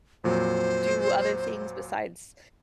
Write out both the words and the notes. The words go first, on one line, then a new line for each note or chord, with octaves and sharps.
do other things besides
F2 A#2 F#3 C5